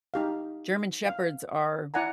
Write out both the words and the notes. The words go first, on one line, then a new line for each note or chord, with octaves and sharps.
German Shepherds are,
D#4 G4 F5
F5
E4 D5 F#5 G#5 A#5